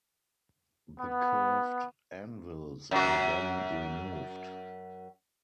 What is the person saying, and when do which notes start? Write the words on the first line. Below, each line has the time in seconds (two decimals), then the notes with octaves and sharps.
The curved anvils are then removed.
1.00 B3
2.91 F#2 F#4